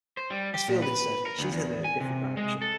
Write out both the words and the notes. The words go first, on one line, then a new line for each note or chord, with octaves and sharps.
As Fielding said, she's heading in a different direction.
C5
G3
G4
A#2
B4
A#4
D2
E2
G#5
C3
G#3
A4